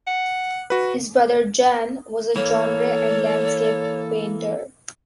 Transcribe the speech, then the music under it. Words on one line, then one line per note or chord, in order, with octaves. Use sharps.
His brother Jan was a genre and landscape painter.
F#5
F#4 B4
E3 A#3 A4 C#5